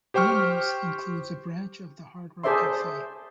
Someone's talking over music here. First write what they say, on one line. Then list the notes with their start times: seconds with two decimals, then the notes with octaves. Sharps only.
Ueno's includes a branch of the Hard Rock Cafe.
0.14 G4 C5 G5 C#6 F6
2.44 G#4 A4 C5 D5 E5 C6